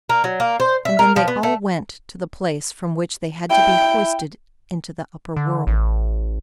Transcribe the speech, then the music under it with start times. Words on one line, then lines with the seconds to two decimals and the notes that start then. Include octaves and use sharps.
And then they all went to the place from which they had to be hoisted into the upper world.
0.09 A#3
0.24 F#3
0.40 A#3
0.60 C5
0.85 E5
0.99 A#4
1.16 F3
1.28 B3
1.43 A3
3.50 E4 G5
5.36 D3
5.67 A1